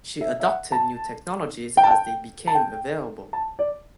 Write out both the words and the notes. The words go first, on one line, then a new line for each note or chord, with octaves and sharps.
She adopted new technologies as they became available.
E5
E5
F#5
A5
G5
A5
G5
A5
G5
A5
D5